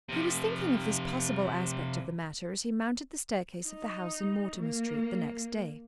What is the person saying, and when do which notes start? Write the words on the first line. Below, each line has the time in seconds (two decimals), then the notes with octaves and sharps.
He was thinking of this possible aspect of the matter as he mounted the staircase of the house in Mortimer Street the next day.
0.09 C3 F3
3.64 D#4
4.57 A#3